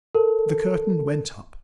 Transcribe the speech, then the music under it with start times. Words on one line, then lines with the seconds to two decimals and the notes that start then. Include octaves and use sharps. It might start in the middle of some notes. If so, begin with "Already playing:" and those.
The curtain went up.
0.15 A4 A#4